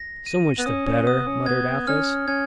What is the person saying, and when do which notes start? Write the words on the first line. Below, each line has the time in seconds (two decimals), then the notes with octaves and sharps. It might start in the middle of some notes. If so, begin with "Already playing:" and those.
"So much the better," muttered Athos.
Already playing: A#6
0.26 D#7
0.58 B3
0.66 C#4 D#6
0.87 C#4
1.07 B3 D#6
1.27 C#4
1.46 B3 G#6
1.87 C#4 F6
2.28 C#4 G#6